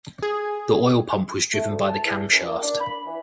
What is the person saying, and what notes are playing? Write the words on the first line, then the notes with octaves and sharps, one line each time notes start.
The oil pump was driven by the camshaft.
G#4
A3
D2
A5
E2
F#2
A#3
D4
B5
E3